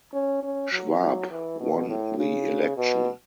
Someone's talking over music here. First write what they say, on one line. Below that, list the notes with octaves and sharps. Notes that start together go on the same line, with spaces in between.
Schwab won the election.
C#4
C#4
F#3
F#3
E3
B2
A2
C#3
B2